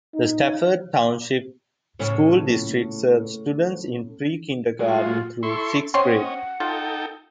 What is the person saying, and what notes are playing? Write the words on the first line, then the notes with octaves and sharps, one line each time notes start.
The Stafford Township School District serves students in pre-kindergarten through sixth grade.
D#4
A2 C#3 C#4
F#3 G#3 F4
E4 A4 C6 C#6
C4 C#4 C#5 D#5 F#5 C6
D#4 F4 A4 G5